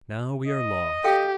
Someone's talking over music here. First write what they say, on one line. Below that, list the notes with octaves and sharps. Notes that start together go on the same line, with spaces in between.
"Now we are lost."
D#5
G4 A4 F5 G5